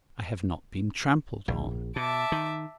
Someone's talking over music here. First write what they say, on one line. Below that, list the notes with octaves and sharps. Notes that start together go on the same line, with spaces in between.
I have not been trampled on.
A#1
B2 E5 A5 D6
D#3